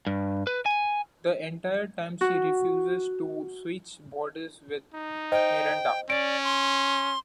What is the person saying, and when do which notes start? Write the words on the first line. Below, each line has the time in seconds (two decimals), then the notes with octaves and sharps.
The entire time she refuses to switch bodies with Miranda.
0.07 G2
0.47 B4
0.66 G#5
2.21 F#4
4.94 D#4
5.32 C5 D#5 G5
6.10 C#4 D5 D7
6.44 C6